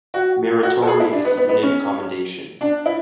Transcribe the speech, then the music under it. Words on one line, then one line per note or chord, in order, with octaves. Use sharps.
Meritorious Unit Commendation.
F#4
F#4
A4
G#4
E4
D4
B3
B3
B3
C#4
D4
E4